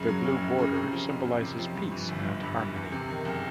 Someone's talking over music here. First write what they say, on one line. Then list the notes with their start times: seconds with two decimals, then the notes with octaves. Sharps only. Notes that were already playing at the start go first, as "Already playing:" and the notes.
The blue border symbolizes peace and harmony.
Already playing: F#2 C#3
0.08 F#3
0.25 F#1
0.41 F#2
0.58 C#3
0.74 C3
0.91 F3
1.08 F2
1.25 F2
1.42 C3
1.59 F3
1.75 G2
1.92 E3
2.08 G1
2.24 G1
2.41 G2
2.58 E3
2.76 E2
2.92 C3
3.09 D#3
3.25 F#1